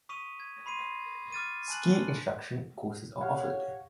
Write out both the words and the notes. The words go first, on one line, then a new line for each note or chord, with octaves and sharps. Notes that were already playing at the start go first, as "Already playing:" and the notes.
Ski instruction courses are offered.
C#6 D#6 B6 D#7 F7
G#6
B5 C6 C7 D#7
D6 F6 A6 D#7
G#5 A5 F#6 F#7
G4 C#5 F5 F#5